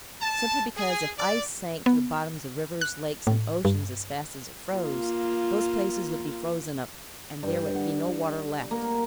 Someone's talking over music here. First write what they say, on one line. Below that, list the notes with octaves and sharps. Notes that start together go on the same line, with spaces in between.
Simply because if ice sank to the bottoms of rivers, lakes, and oceans as fast as it froze, those places would be frozen up and there would be no water left.
A5
G#4
D5
B3
F#6
A2
G2
A#3 F4
G2
F#5
A#3